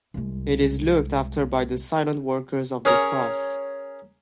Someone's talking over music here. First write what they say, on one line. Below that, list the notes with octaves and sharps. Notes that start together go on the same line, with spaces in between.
It is looked after by the Silent Workers of the Cross.
C2 G#3
C#4 G#4 A#4 C#5 A#5